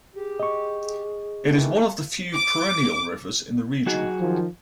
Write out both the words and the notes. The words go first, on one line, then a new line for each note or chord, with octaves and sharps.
It is one of the few perennial rivers in the region.
G4 G#4
D#5 C#6
D#3 E3 A3
D6
F#3 D#4 F#4 G#4
D#3 F3